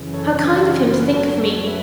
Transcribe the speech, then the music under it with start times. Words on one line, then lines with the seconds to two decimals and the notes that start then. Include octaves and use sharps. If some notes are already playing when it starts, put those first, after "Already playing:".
'How kind of him to think of me!
Already playing: F#2 C#3 E3
0.13 A4 C#5
0.34 F#2 C#3 E3 C#4
0.53 E4
0.73 C#4 F#4
0.93 F#4 B4
1.13 F#2 F#3 A4 C#5
1.40 A4 C#5
1.66 B4 E5